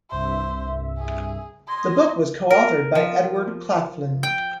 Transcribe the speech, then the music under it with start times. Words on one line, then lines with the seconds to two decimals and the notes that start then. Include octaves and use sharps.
The book was coauthored by Edward Claflin.
0.11 C2 G2 C5 E5
0.98 G#4
1.68 C6 D#6 G#6 A#6
2.50 A#4
2.95 F3
4.23 G5